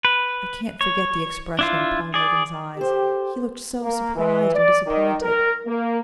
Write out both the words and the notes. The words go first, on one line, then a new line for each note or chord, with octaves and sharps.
I can't forget the expression in Paul Irving's eyes . . . he looked so surprised and disappointed.
B4
C#5
D4 E4 F4
G#4 D5
G4 A4 C5
A#3
E3
D5
D#3
A#4
A#3